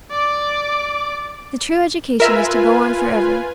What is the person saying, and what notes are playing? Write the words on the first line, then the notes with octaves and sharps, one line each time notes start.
The true education is to go on forever.
D5 D6
F4 A#4 B4 E5 G#5